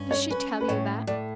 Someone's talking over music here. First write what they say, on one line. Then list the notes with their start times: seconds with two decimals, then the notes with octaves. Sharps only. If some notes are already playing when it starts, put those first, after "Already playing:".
"Did she tell you that?"
Already playing: G2 C#4
0.11 C#5
0.30 C#4 B4
0.60 B4
0.68 A2 C#5
1.07 A2 D5